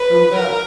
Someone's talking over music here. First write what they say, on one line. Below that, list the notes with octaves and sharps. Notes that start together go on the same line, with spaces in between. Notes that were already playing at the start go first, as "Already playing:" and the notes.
Come back!
Already playing: B4
A#4